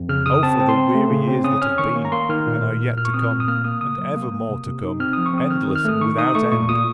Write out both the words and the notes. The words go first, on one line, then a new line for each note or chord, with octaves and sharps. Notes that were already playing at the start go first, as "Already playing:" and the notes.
Oh, for the weary years that have been and are yet to come, and evermore to come, endless and without end!
Already playing: F2
C#3 F6
C#3 D#6
C4 A5
C4
C6
C4
A3
C#3
C4
C#4 D#6
C#4 F6
D#3 C#6
A#3
A#5
A#3 C6
D#3 F6
A#2
A#2
A#2
A#2 F6
C#6
C4 D#6
F6
A#2
D#6
A#3 F6
A#3 D#6
C#3 D#6
F#3
A#3
A#3
C3
C3
D#4
C4 F6
F3 D#6
C#6
C4 D#6
D#3 F6
D#3
F6
A3 D#6
D#3 C#6
D#4 D#6
A3 C#6
A#2 C#6
A#2 D#6